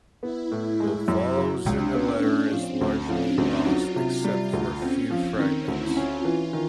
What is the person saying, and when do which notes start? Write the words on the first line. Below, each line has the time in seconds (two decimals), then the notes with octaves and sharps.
What follows in the Letter is largely lost except for a few fragments.
0.22 B3 E4
0.51 A2
0.80 G#3
1.08 F#2
1.38 F#3
1.66 C#2 D4
1.95 B3 C#4
2.23 A2
2.52 F3 C4
2.80 D2 C#4
3.09 F3 D4
3.37 D2 D#4
3.66 F#3 F4
3.96 C3
4.24 G3
4.53 D2
4.81 C4 C#4
5.10 F3 C4
5.39 D#3 C4
5.68 D2 E4
5.96 C#4 F4
6.25 E3
6.53 D#3